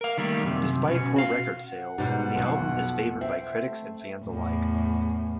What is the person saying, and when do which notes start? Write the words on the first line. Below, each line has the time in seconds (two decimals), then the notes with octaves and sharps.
Despite poor record sales, the album is favored by critics and fans alike.
0.01 A#4 F5
0.18 D#3 G3 A3 A#3
0.43 F#2 C3
0.88 B2 C#4
1.16 F#4 F5
1.59 F#5
1.98 G#2 B2 G3
2.35 B1 F2 B2
3.21 C4 E5
3.67 A3
4.22 E2 A2